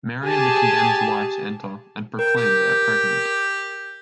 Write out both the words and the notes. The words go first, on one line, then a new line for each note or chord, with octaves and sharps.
Mary and the condemned's wives enter and proclaim they are pregnant.
G4 G#4 G#5 A5
A#4 G5
G4